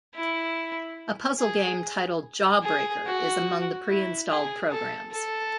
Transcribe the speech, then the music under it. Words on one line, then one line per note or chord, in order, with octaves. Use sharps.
A puzzle game titled "Jawbreaker" is among the preinstalled programs.
E4
G#4
G#4
F#4
E4
G#4
A4
A4